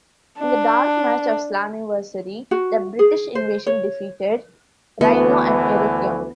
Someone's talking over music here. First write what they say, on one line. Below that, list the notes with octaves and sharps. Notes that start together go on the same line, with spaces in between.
In the dark match of Slammiversary, the British Invasion defeated Rhino and Eric Young.
D4
F#4
G#4
C5
C#5
D2 E3 B3